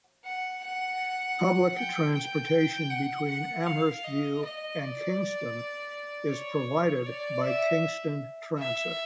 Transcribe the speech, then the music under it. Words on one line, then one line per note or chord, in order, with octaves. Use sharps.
Public transportation between Amherstview and Kingston is provided by Kingston Transit.
F#5
F#5
G5
G5
F#5
F#5
F5
D#5
D#5
D5
C#5
D5
E5
E5